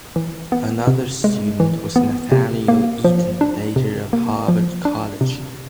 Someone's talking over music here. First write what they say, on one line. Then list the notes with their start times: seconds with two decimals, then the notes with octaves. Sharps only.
Another student was Nathaniel Eaton, later of Harvard College.
0.16 E3
0.52 B3
0.87 C3
1.24 G#3
1.60 E3
1.96 B3
2.32 C3
2.68 A#3
3.04 F3
3.41 D4
3.76 C3
4.13 A#3
4.48 F3
4.85 D4
5.21 C3